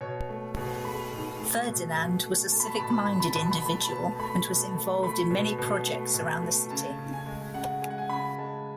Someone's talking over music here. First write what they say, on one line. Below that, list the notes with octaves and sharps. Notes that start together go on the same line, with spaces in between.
Ferdinand was a civic-minded individual, and was involved in many projects around the city.
B2 C#5
A3
B2
A3 B5
B2
A3
B2
B2
A3
A3 A5
B5
A5
B5
B2 A5
B5
A5
B2 B5
A5
B5
A5
B2 B5
A5
B5
A5
A3 B5
A5
B5
B2 A5
A3 B5
B2
A5
A3
A3 B5
B2
B2
A3
B2
A3
C#3 A5
C#3
G#5
G#3
C#3 F#5
G#3 G#5
F#5
G#5
C#3 B5
G#3 A5